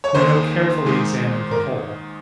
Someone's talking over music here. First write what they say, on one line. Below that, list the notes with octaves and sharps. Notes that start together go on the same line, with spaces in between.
Bruno carefully examined the hole.
C#5
D#2 D#3 A#3 D#4 G#4 C5
G#2 D#3 G#3 D#4 G#4
A#4